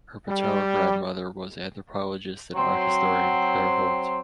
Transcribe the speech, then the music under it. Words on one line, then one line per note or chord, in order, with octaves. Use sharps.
Her paternal grandmother was anthropologist and art historian Claire Holt.
G3
F#3 C4 C6